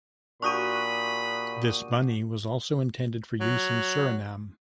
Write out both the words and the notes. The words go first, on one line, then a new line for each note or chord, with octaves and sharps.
This money was also intended for use in Suriname.
A#2 D4 F#4 G4 B5 C#6 D#6 D#7
F#3